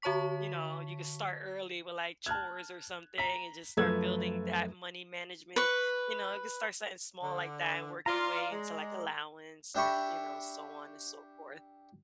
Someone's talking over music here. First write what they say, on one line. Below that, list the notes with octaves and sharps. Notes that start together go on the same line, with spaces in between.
you know, you could start early with, like, chores or something and just start building that money management, you know, it could start something small like that and work your way into, like, allowance and, you know, so on and so forth.
D3 F#4 C#5 A5 C#6 B6
A5 F6 F#6 G#6
A#5 B6
F#2 F3 A3 B4 E6 G#6
B4 C#6
D3
F4 D5 A#5
G#3
D4 G4 E5 B5 C#6